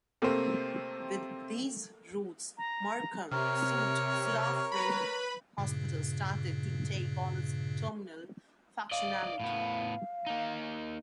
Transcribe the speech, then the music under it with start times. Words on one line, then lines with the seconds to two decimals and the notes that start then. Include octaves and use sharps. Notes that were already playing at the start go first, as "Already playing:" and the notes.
With these routes, Markham-Stouffville Hospital started to take on its terminal functionality.
0.22 C3 A3 A#3 C4
2.58 A#5
3.31 C3 A#4 C#5 F6
4.72 B4 A#5 B5
5.58 G2 A#2 C#3
8.91 D5 D#5 F5
9.40 A2 B3
10.27 A#3 D#4